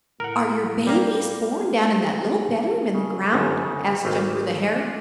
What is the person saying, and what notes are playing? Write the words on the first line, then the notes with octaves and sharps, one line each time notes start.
"Are your babies born down in that little bedroom in the ground?" asked Jumper the Hare.
A2 A#4 F#5
G3 A#3 A#5
G#3
C#3
G1 F#2 D#4 A4
C#3
G#1 A3 A#3 D#4 F4 D#5
D4 F4